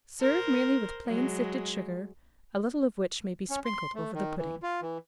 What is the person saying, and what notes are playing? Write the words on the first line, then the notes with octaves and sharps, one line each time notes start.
Serve merely with plain sifted sugar, a little of which may be sprinkled over the pudding.
A#4 C5
F#3 G#3
C#4
C6
A3
D#3
E3
F4
E3